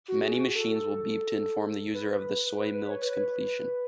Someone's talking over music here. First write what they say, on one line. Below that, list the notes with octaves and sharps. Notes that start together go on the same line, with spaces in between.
Many machines will beep to inform the user of the soy milk's completion.
F#4
G#4
F#4
A4
A4
B4
B4
B4
C#5
B4